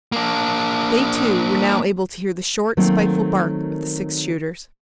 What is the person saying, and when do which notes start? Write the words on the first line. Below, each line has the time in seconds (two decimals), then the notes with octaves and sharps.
They, too, were now able to hear the short, spiteful bark of the six-shooters.
0.12 A#3 D4
2.77 D#3 F#3 A3 A#3 C4